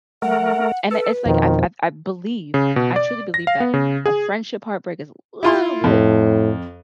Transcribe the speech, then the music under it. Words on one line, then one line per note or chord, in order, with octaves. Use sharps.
Mhm. And i it's like I b I b I believe, I truly believe that a friendship heartbreak is a little bit
A3 A#4 F#5
A4 B4
F2 B2 D#3 F3
C#3
B2
D5
A#6
F5
B3
C#3
G#4
E4 F4 C6
F2 A2